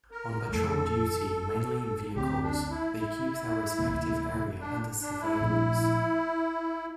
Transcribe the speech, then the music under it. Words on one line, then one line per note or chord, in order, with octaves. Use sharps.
On patrol duty, mainly in vehicles, they keep their respective area under surveillance.
A#4
F2 E3 A3 A4
D2 D3 A3 C4 G4
D4
E4
E4
D2 C3 E3 A#3
D4
D4
E4
A#2 F3 A3 D4